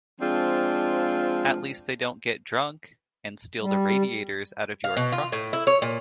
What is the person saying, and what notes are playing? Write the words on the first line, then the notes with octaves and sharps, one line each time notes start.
At least they don't get drunk and steal the radiators out of your trucks.
F3 G#3 C4 D4 F4
G3
F5
B2
F4
A2
E4
C#5
A#2